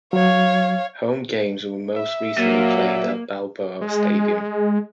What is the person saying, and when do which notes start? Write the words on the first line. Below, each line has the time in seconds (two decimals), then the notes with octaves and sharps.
Home games were most recently played at Balboa Stadium.
0.13 F#3 C#5 F5
1.96 E5
2.38 A#2 F#3 A#3
3.81 G#3